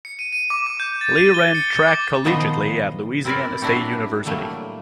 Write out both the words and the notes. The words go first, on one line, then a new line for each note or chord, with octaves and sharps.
Lee ran track collegiately at Louisiana State University.
C#7
D#7
D#7
D6
D6
G6
A6
D#7
G7
C#7
A6
D6
A#2 D#3 F3 B3 C5 D#5
C4 E4 A#4 B4 D5
F#3 D4 E4 F#4 G4
A2 F#3 G3 A3 A#3